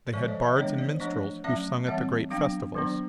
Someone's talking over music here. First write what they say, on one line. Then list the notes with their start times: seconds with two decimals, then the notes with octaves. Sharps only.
They had bards and minstrels, who sung at the great festivals.
0.13 D3 F3 G#3 C5 D5
0.28 C#5 D#5
0.42 D5 E5
0.56 E3 G#3 B3 D4 C#5 D#5
0.78 C5 D5
1.00 F3 A3 D4 C#5 D#5
1.44 F#3 A3 C#4 D5 E5
1.87 E3 G3 C4 E5 F#5
2.30 F#3 B3 D4 F5 G5
2.75 D#3 F#3 B3 D4